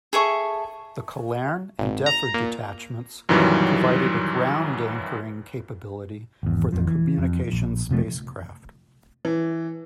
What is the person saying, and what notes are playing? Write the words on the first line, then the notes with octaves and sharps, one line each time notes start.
The Colerne and Defford detachments provided a ground anchoring capability for the communications spacecraft.
G#4 A4 E5 C#6
G#1
A#5
A#2
F#2 A#2 D#3 E3 F#3 G3
G#1 E2
A1 F2 F3
E3
F2
A#1
F1 C3 F3 A3
E3